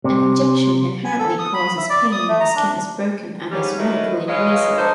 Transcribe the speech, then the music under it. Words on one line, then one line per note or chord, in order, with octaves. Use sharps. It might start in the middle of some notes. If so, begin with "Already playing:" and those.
An injection inherently causes pain when the skin is broken and is medically invasive.
C3
G#5
A4
D#6
B5
E5
D5
D#6
A3
A#5
D4
G#2 G3 C#4
D#3 F#3 A3 D#4 E4 B4
F#3 G#3 B4 D#5 F5
D4 A4 A#4 C5 C#5 D#5